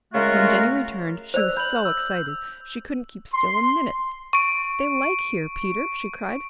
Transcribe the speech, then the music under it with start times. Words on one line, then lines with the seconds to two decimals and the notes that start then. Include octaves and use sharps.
When Jenny returned she was so excited she couldn't keep still a minute. "They like here, Peter!" she cried.
0.13 C#3 G#3 A3 F4 F#4 A#4
1.34 C5 D5 E6 F#6 F7
1.57 B5 G6 F#7
1.85 E6
3.33 C6
4.33 C#6 D7